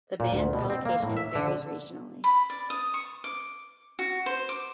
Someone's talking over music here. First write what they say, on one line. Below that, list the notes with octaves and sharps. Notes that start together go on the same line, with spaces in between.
The band's allocation varies regionally.
A#2
D2
B2
C4
A#3
A2
E5
D3
B5
D5
D#6
C#6
D6
F#4
C5
D6